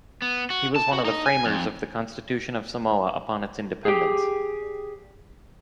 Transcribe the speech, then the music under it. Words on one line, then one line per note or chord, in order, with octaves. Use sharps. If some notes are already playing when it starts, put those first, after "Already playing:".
He was one of the Framers of the Constitution of Samoa upon its independence.
B3
F#4
A5
F#4
D#4
G#5
F2
G4 G#4